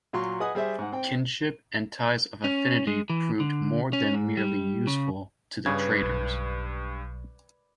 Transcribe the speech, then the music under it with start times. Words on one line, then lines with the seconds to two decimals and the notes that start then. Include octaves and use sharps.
Kinship and ties of affinity proved more than merely useful to the traders.
0.13 A#2 F#3 C6 C#6
0.40 G#4 B4 D#5 F#5 G#5 D#6
0.55 G3 G#4 C5 E5
0.79 G#2 F#5
0.92 C4 G5
2.44 C#4
2.87 G#3
3.10 E3
3.40 D3
3.93 C#4
4.14 G#2
4.37 G3
4.87 C#3
5.66 G2 C#3 B4 D5 G#6
6.02 B1